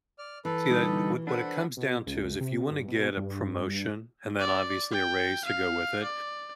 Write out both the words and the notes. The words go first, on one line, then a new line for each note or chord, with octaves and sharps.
See, eh, what what it comes down to is if you wanna get a promotion and then obviously a raise to go with it,
D5 F6
E3 A4 B4
D3 G3 D#4
D4 A4 B4 C5 F#5 B5
B2
C#2
C3
G2
B2
G2
D5
G5
F5
D5